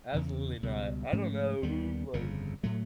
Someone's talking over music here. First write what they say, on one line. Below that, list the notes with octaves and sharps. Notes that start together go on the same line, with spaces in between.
Absolutely not. I don't know who, like
E2 C#3 E3
C#2 B2 G3
G#2 F3 A3 C#4
D#2 D#3 G3 B3
G1 F2 C#3
A2 F#3 A3